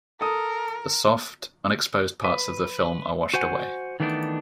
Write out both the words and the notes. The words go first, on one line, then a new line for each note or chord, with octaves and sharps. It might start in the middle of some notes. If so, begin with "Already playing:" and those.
The soft, unexposed parts of the film are washed away.
A4 A#4 D#6
B4
F#4 C5 F#5 G#5
D#3 E3 A3 B3 D4 D#4